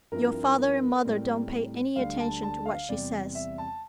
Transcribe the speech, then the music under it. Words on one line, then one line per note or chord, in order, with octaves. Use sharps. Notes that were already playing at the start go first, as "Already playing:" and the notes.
Your father and mother don't pay any attention to what she says.
G2 F3 C4 E4 A#4
A2 G3 C4
D2 D3 G3 F5
A5
A5
F5
E2 C3 G3 D5
E5
A5